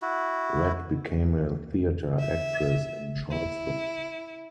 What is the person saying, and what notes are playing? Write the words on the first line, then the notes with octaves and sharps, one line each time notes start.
Rhett became a theatre actress in Charleston.
E4 F#4
E5
E4